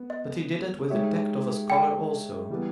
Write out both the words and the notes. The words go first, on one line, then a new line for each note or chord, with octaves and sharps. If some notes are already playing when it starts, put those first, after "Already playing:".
But he did it with the tact of a scholar also.
Already playing: B3
D#5
G#3 D#4 G4 C#5 E5
G5
E3 G3 B3